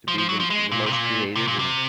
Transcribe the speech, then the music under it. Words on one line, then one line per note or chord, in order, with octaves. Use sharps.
to be the the most creative, and,
F3
F3
F#3
F3
G#3
A#2
C3
A#2
C3
A#2
C3